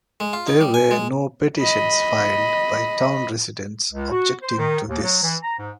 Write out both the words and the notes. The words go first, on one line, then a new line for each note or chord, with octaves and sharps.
There were no petitions filed by town residents objecting to this.
G#3
F4
D#4
G3
G#5
G#3
D#5 B5
C#2
F#4
C5
D#3
D#2
F#3
E3
A#5
G#2